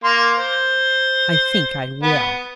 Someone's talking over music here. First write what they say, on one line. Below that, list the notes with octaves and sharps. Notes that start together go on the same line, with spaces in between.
I think I will.
A#3 C6
C5
B3